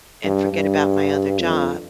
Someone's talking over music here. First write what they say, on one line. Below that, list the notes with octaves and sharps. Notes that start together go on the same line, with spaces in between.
and forget about my other job,
G2
G2
F2